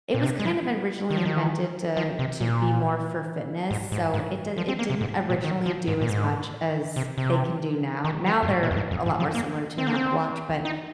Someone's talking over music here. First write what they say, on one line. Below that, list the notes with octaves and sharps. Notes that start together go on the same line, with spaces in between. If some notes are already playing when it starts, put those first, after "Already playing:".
It was kind of originally invented to to be more for fitness, so, it d it didn't originally do as much as they can do now. Now they're a lot more similar to an Apple Watch, but
A#2
C3
G#3
F3
D#3
F3
D#3
F3
C3
A#2
G#2
G#2
G#2
F3
C4
A#3
C3
G#2
A#2
D#3
F3
G#2
A#2
G#2
C3
C3
D#3
F3
F2
G#2
A#2
F2
G#2
F2
G#2
F3
A#3
C4
A#3
C4
D#4